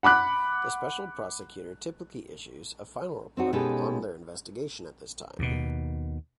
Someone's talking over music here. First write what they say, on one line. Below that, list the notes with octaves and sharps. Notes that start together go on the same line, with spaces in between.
The special prosecutor typically issues a final report on their investigation at this time.
F#5 B5 D6 F#6
C4 D#4 F#4
B2 G#3 C#4 D#4 G4 A4
D#2 B2